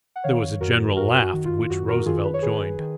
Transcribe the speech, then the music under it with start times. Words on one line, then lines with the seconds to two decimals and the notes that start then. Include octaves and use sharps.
There was a general laugh in which Roosevelt joined.
0.16 F#5
0.24 D#3 C#5 F5
0.60 F#2 F#4 A#4
0.97 F#2 F#4 A#4
1.22 F#4
1.33 D#3
1.45 F4
1.70 F#2 F#4
1.88 F#4 A#4
2.06 D#3 F4 G#4
2.24 B4
2.34 C#5
2.42 D#3 G#4 B4
2.79 D#3